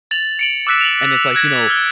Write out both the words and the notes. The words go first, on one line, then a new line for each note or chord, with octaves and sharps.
And it's like, you know,
A6 F7 F#7
C#7 D7 F#7
D6 E6 F#6 B6 E7
F7 F#7
F#6 G#6 A#6
F6